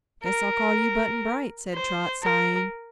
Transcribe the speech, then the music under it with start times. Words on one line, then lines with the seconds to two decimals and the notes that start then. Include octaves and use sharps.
"Guess I'll call you Button-Bright," said Trot, sighing.
0.24 A#4
1.74 C5
2.23 A#4